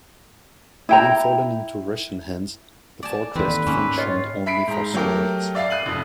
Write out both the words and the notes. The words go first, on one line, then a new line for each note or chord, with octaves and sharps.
Having fallen into Russian hands, the fortress functioned only for some weeks.
E4 G5 A#5
D5 G#5 A5
D#2 E3 C4 D#4 A4 B4 D5
G#2 A#3 C4 C#4
F4 C#5 D#5
E5 B5 B6 C7 D7
G#2 A#5
F#3 A3 G4 A#4
D5 E5 F5 A6 C7
F#6 C7 D#7 F#7
F1 F2